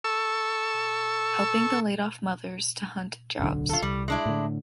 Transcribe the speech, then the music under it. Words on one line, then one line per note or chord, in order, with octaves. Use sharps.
Helping the laid-off mothers to hunt jobs.
A4 C#6 E6
D1 B1 D3
F4 A4
C2 G3
G#3 D4 E4
A2 D3